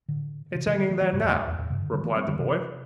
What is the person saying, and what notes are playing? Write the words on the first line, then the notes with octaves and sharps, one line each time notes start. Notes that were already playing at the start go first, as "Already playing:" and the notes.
'It's hanging there now,' replied the boy.
A2 D3
C3 E3
C3 E3
D3 G3
E3 A3
E3 A3
G2 C3
E2 A2
E2
E2 A2
G2 C3
A2 D3
D3 G3
E3 A3
G3 C4
D3 G3
C3 E3